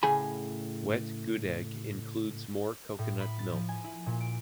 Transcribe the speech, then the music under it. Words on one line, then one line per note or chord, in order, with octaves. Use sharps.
Wet gudeg includes more coconut milk.
A2 C#3 G#4 G#5 B5
A2
B5
A6
F3
G#5
E4
A#2
D7